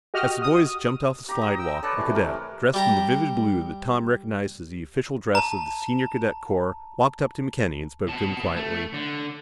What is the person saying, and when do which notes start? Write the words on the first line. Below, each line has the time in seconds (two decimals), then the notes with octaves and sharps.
As the boys jumped off the slidewalk, a cadet, dressed in the vivid blue that Tom recognized as the official dress of the Senior Cadet Corps, walked up to McKenny and spoke to him quietly.
0.14 F#4 G4 D#5 F6
0.42 D#6
1.29 G4 A#5 D6
1.42 D#5
1.59 G5 E6
1.83 A4 B4 C#5 D5 A5
1.97 C3 E3 A3
2.15 A#4
2.74 G3 G4 A#5
5.35 A5 A#5
8.08 B2 A5
8.56 A3
8.94 D3